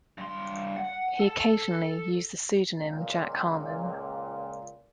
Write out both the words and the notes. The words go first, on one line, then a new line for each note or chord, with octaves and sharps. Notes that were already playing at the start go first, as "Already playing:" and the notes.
He occasionally used the pseudonym Jack Harmon.
G2 C6
F#5
A4 A5
C#2 A#2